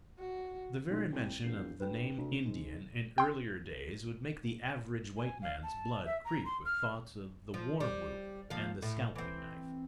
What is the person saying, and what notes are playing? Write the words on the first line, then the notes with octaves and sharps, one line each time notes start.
The very mention of the name "Indian" in earlier days would make the average white man's blood creep with thoughts of the war-whoop and the scalping-knife.
F#4
F#1 B2 D#4 C6
C2 G5 D#7
E1 G6 C7
D2 B4 G5
D2 C3
G#2
G5 C6
G#5
F5
A5
E5
A#5
C6
F6
F3
G3
D#2 F3 F5
A2
E3 C4